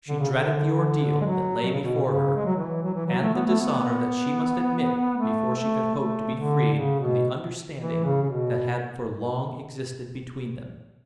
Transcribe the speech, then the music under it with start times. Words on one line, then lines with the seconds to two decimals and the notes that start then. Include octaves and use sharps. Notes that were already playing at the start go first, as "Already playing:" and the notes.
She dreaded the ordeal that lay before her and the dishonor that she must admit before she could hope to be freed from the understanding that had for long existed between them.
0.08 D3
0.19 C#3
0.31 D3
1.21 G#3
1.25 F#3
1.64 B2
1.72 C#3
1.80 B2
2.03 C#3
2.36 G#3
2.45 F#3
2.56 E3
2.82 F#3
2.95 E3
3.06 F#3
3.21 A3
3.34 B3
3.46 A3
3.61 B3
5.17 A3
5.56 A3
5.95 A3
6.34 D3
6.73 C#3
6.99 B2
7.77 E3
8.04 C#3
8.22 C#3
8.30 B2